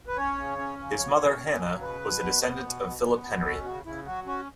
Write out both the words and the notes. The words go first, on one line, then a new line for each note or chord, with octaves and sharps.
His mother, Hannah, was a descendant of Philip Henry.
B4
C#4 C#5
C#3
C#4
C#3
F#3 C#5
C#4
F#3
C#3
B2 B4
B2
B3
B3
B2
B2
B3
B2
C#4 A4
C#3 F#4
C#3 E4
F#3 F#4
C#4 F#4